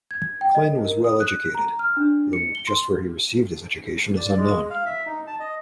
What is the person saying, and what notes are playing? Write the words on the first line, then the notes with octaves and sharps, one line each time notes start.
Clyn was well educated, though just where he received his education is unknown.
G#6
G5
D#5
A#4
D#6
F#6
A#5
F6
D4
C#7
G7
C6
D5
G#3
F5
E5
D#4
A5
D#5